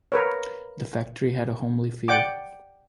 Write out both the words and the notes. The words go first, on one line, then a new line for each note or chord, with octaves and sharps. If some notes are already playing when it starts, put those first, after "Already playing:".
The factory had a homely feel.
A#4 B4 C#5
D5 F#5 G5 D6